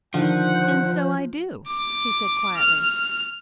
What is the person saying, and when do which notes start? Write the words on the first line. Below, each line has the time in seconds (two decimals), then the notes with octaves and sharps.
"And so I do," she said, quietly.
0.14 D3 D#3 F3 C5 F#5
1.67 D6
2.57 F6